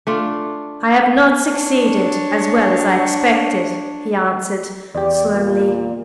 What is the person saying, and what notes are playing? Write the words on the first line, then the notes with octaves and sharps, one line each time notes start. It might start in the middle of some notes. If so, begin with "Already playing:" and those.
"I have not succeeded as well as I expected," he answered slowly.
A3 D4 F4
D4 C#5
E2 G4 D5
A#2